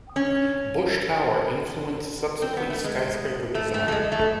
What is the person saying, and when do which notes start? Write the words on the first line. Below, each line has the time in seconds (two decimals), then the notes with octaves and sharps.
Bush Tower influenced subsequent skyscraper design.
0.16 C#4
2.42 C4
2.57 B3
2.70 A3
2.84 G#3
3.55 A3
3.74 A3
3.88 A3
3.92 G#3
4.12 A3